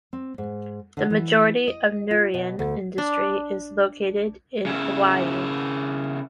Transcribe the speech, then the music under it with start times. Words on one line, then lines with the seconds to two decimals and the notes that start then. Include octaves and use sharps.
The majority of Nauruan industry is located in Aiwo.
0.13 C4
0.38 G#2
0.97 D3
1.10 E3
1.68 D#5
2.11 F4
2.34 B2
2.59 D2
2.98 D4
4.66 C#3 E4